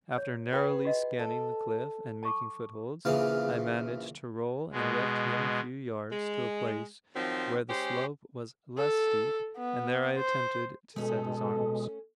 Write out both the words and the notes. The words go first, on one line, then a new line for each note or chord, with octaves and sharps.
After narrowly scanning the cliff and making footholds, I managed to roll and lift him a few yards to a place where the slope was less steep, and there I attempted to set his arms.
C#5
F4 G#4 B4 G5
F#4 D#5
A4
A5 C#6 D6
A#1 C#3 E3 F5
B2 G#3
G#3
D#3 F3 F#3 C4
G#3 C#4 G4 C5
A4
B3
C5
B2 G#3 A3 C#4 A4